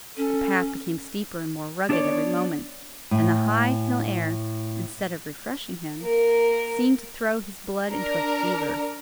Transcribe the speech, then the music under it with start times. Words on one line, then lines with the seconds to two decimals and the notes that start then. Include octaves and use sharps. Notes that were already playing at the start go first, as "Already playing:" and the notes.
The path became steeper and more rugged every moment; and the high hill air, instead of refreshing him, seemed to throw his blood into a fever.
0.17 C#4 A4
1.89 B3 D4 G#4 A4 C#5 D5
3.11 A2 G#5
6.02 A#3 A#4
7.91 D4 A#4